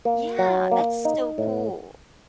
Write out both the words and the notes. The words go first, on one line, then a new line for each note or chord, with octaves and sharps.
Yeah, that's so cool.
A#3
F#3
A#3
D#4
A2